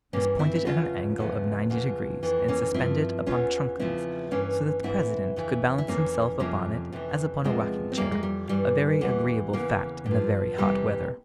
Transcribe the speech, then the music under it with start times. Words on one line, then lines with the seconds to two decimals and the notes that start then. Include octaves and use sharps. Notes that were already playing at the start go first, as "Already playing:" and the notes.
It was pointed at an angle of ninety degrees, and suspended upon truncheons, so that the president could balance himself upon it as upon a rocking-chair, a very agreeable fact in the very hot weather.
0.13 G2 E3 A#3 C#4
0.39 C4 E4
0.55 E4
0.65 E2 C#3 F3 C#4 F4
1.18 E2 C#3 F3
1.70 E2 C#3 F3
2.23 F2 E3
2.48 A#3 C#4
2.74 G2 F3 C4 E4
3.26 E2 E3 C#4 F4
3.79 E2 C#3 F3 C4 E4
4.31 G2 E3 A#3 C#4
4.83 G#2 E3 C4 E4
5.36 F2 C#3 E3
5.78 E4
5.88 F2 E3 A#3 C#4
6.40 F2 C3 F3 A#3 C#4
6.92 F2 C3 E3
7.44 E2 C3 F3 G#3 C4
7.92 C4
7.97 F2 C3 E3 G3 A#3
8.12 G#3
8.23 G3
8.49 G2 E3 G3
9.01 E2 E3 G3
9.53 E2 C#3 E3 G3 A#3
10.06 G2
10.11 F3
10.58 F2 C3 E3 G3 A#3